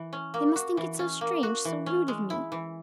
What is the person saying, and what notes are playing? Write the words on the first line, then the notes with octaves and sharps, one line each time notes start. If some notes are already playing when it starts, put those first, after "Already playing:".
They must think it so strange, so rude of me!
Already playing: E3
C#4
A#3
F#4
E3
C#4
A#3
F#4
E3
C#4
G#3
E4
E3